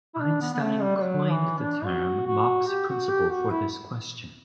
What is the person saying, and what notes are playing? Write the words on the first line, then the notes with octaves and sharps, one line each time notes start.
Einstein coined the term Mach's principle for this question.
E4
D4
B3
B3
A3
G3
G3
F#3
E3
D4
F#4
F#4
G4
F#4
G4
F#4
E4